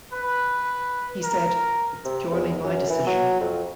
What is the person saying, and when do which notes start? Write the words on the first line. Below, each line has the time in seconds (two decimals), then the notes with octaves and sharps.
He said: It's purely my decision.
0.13 B4
1.22 A#4
2.05 C3
2.31 E2
2.63 F#2
2.90 E3
3.07 F#3
3.40 F2